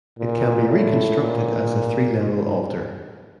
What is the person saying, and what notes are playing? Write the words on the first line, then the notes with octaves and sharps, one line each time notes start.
It can be reconstructed as a three-level altar.
A#2
A2
A#2